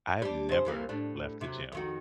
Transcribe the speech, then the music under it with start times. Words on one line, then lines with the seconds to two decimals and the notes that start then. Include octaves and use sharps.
I have never left the gym
0.22 G3 D4
0.49 C#3 C5
0.65 F2 E3 A#3
0.89 A2 D4
1.41 C3 F#3
1.72 F2 D#3 F#4